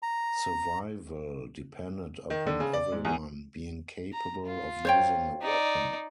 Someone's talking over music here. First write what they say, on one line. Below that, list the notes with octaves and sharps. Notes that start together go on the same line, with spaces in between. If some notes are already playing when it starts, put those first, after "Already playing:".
Survival depended upon everyone being capable of using a weapon.
A#5
D#3
D3
C#3
D5
G#2
E2
A#5
F4
C5 C#5 G5
D#4 D5